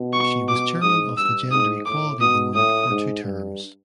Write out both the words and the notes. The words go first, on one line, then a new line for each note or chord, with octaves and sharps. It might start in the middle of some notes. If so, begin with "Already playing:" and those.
She was chairman of the gender equality board for two terms.
Already playing: B2
C#6
D6
G#2 D#6
G2 E6
G#2 D#6
A2 D6
B2 D#6
A2 D#6
G#2
G2